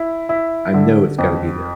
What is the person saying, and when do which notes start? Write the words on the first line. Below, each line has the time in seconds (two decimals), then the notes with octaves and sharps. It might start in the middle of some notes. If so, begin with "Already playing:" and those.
I know it's gotta be there.
Already playing: E4
0.29 E4
0.74 D3
1.18 F2